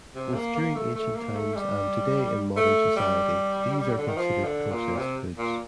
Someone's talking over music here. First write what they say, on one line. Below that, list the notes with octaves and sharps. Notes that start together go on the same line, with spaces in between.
Both during ancient times and today in modern society these are considered processed foods.
C3
A#3
A#3
A3
A3
A#3
A3
G3
A3
G3
D3
D#3
F3
D3
A#2
C3
A#2